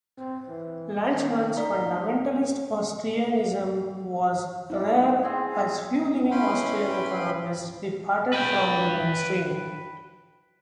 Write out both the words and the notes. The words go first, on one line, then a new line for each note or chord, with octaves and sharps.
Lachmann's "fundamentalist Austrianism" was rare as few living Austrian economists departed from the mainstream.
C4
E3
D#3
D#4 D5 A#5
D#4 E4 D5
C4 G#4
C#4 E4 B4 G5 B5 C6
B4 G5